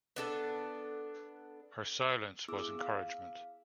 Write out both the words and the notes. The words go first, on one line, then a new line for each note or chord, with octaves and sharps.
Her silence was encouragement.
B3 D4 A4
B3 E4 G#4 D6 E6
F5